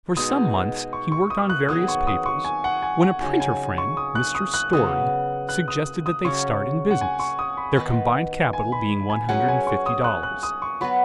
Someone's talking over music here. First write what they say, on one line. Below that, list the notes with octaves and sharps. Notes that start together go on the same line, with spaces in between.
For some months he worked on various papers, when a printer friend, Mr. Story, suggested that they start in business, their combined capital being one hundred and fifty dollars.
B2 G#3 D#4 D#6
C#6
C#6
D#6
F#6
D#3 F#3 B3 G#4 D#6
C#6
D#6
C#6
G#5
F#5
G#5
F#5
C#3 F#3 D#4 G#5
G#5
C#6
D#6
F#6
D#6
F#6
C#3 F#3 B3 D#6
F#6
D#6
D#6
C#3 F#3 C#4 C#6
F#5
G#5
C#6
D#6
B5
D#3 B3 D#4 B4
G#5
B5
G#5
F#3 C#4 G#4 B4 F#5
G#5
C#6
D#6
F#6
F#6
D#6
C#6
F#3 B3 F#4 B4 B5